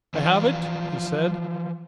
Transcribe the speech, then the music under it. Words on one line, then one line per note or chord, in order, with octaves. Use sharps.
"I have it!" he said.
E3 F3 F4 D5